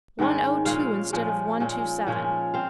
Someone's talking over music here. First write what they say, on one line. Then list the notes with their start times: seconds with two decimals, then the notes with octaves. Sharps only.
One O Two instead of One Two Seven.
0.19 G#2 D#3 G#3 C#4
0.65 A#2 F3 G#3 C#4 F5
1.13 A#2 F3 G#3 C#4
1.60 A#2 F3 G#3 C#4
2.07 A#2 F3 G#3 C#4
2.54 C4 F5